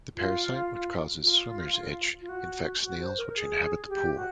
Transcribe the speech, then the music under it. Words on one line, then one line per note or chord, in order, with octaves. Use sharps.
The parasite, which causes swimmer's itch, infects snails which inhabit the pool.
F4
F4
F4
F#4
F#4
C5
A#4
G#4
G4
F#4